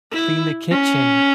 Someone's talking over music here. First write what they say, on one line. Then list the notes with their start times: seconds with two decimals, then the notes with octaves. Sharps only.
Clean the kitchen.
0.13 E4
0.71 C#4